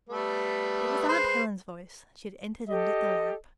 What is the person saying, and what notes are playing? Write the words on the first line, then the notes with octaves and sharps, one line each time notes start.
It was aunt Helen's voice; she had entered and lit the lamp.
G3 A3 B3
G#3 B4 C5
G4 A4 D#5